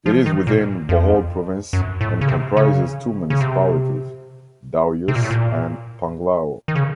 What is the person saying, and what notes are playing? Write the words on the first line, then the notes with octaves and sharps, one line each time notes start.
It is within Bohol Province, and comprises two municipalities: Dauis and Panglao.
F3
D#3
A#2
F2
F#2
A2
C#3
C3
C#3
C#3
C3
C3
A#2
A2
A#2
D#3
C#3